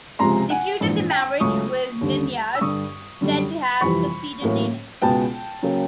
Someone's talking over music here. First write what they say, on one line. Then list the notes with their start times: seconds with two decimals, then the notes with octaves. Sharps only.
The fruit of the marriage was Ninyas, said to have succeeded Ninus.
0.19 C#2 C3 F3 G#3 A#5 C6
0.50 F#5 G#5
0.80 A#1 G#2 E3
1.10 G5 A5
1.40 C#2 C#3 F#3 A3 C#6 D#6
2.01 D#2 D3 G3
2.55 E6
2.61 G2 D3 G3 C#6 D#6
3.21 F#2 D3 G3
3.81 F2 C3 E3 G3 B5 C#6
4.41 A1 A2 F#3 A#3
5.02 C#2 B2 G#3 B3 G5 A5
5.62 C#3 F#3 A#3